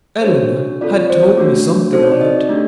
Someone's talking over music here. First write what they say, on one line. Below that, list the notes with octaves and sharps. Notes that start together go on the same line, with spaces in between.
"Eleanor had told me something of it."
C5
D4 F#4 A4 C#5
C4 F4 A4 D5
C#5
C5
C#5
A3 D4 F#4
C4 D#4 F#4 A4 C5
C#5
D5
D#5
A3 D4 G4